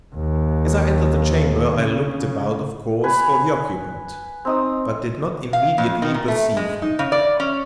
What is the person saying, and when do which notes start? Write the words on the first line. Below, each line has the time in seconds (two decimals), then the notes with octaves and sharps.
As I entered the chamber, I looked about, of course, for the occupant, but did not immediately perceive him.
0.15 D#2
1.71 C#3
3.04 B4 G#5 B5
4.45 C4 D#4 D#6
5.53 F5
5.78 F2
6.02 D#3
6.14 A#2
6.28 A3
6.57 G#3
6.82 D#4
6.99 C#3
7.12 D5
7.40 C#4